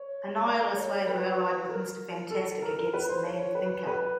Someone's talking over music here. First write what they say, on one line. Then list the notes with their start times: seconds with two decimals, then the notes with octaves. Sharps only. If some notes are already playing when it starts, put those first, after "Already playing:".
Annihilus later allied with Mr Fantastic against the Mad Thinker.
Already playing: C#5
0.45 D5
0.75 C#5
1.07 B4
1.69 A#4
2.30 A4
2.62 A#4
2.78 A#4
2.94 B4
3.09 C5
3.25 C#5
3.40 C#5
3.55 B4
3.87 B4